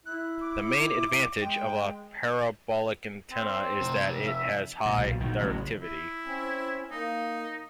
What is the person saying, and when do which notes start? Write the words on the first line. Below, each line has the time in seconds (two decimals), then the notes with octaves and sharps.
The main advantage of a parabolic antenna is that it has high directivity.
0.05 E4 F#6
0.40 D6
1.40 G#3 G5
3.32 C4
3.81 C3 F3
4.26 E5
4.85 A#2
4.98 B1 A#2
5.20 A#1 B2 D#3
5.40 A1 C#3 F#3
5.80 E4
6.25 C4 C#4
6.91 A#3 D#4